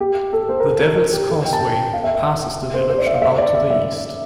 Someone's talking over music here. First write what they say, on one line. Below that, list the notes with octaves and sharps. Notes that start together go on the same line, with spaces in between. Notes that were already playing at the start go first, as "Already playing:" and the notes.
The Devil's Causeway passes the village about to the east.
G4
A4
C5
A#4
A4
A#4
A#4
G4
A4
G5
A5
G5
F5
E5
E5
C5
C5
D5
E5
F5
E5
D5
E5
E5